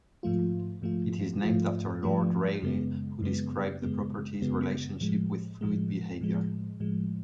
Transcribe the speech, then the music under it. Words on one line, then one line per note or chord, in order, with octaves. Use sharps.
It is named after Lord Rayleigh, who described the property's relationship with fluid behaviour.
G#2 F3 A3 F4
G#2 F3 A3 F4
G#2 F3 A3 F4
G#2 F3 A3 F4
F#2 C#3 G#3 B3
F#2 C#3 G#3 B3
F#2 C#3 G#3 B3
F#2 C#3 G#3 B3
A2 F3 G#3
A2 F3 G#3
A2 F3 G#3
A2 F3 G#3